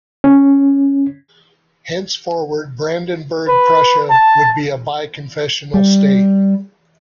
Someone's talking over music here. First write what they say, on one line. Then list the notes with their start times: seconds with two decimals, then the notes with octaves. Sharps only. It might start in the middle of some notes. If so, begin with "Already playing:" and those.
Henceforward, Brandenburg-Prussia would be a bi-confessional state.
0.24 C#4
3.48 B4
4.10 A5
5.74 G3